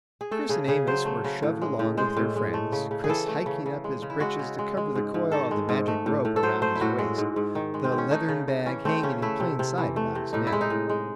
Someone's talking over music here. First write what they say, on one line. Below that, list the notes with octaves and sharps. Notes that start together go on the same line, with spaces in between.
Chris and Amos were shoved along with their friends, Chris hiking up his breeches to cover the coil of the magic rope around his waist; the leathern bag hanging in plain sight about his neck.
G#4
A3 A4
C#3 G#4
C#3 G#4
F#3 C5
A3
C#3
A2
G#3
A2
G#3 C5
A2
G#3
A3
C#3
C#3
G#4
E3 A4
A3
C#3
C#3
G#3
C#3
E4
G#3 F#4
C#3
G#3
G#3
G#2
G#2
D#3 A4
G#3
G#2
A3
A2
A2
A4
F#3 C5
A3 C5
E4
A2 F#4
G#3
G#2
G#2
D#3
G#3
C4
G#2
C#4
A3 D#4
C#3
C#3
E3 C#4
A3 C4
C#3 C#4
A3 E4
C3
C3
E3
A3
C3
A2 D#4
E4
G#3
D#4
A2
G#3